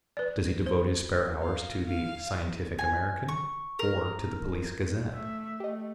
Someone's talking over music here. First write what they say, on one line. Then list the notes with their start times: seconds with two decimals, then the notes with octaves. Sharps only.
Does he devote his spare hours to the "Scientific American" or to the "Police Gazette"?
0.17 B4 D5
0.66 C5
1.42 F5
1.87 F5
2.79 G#5
3.28 C#6
3.79 A#4
5.11 A3 E5
5.60 A3 G4 D#5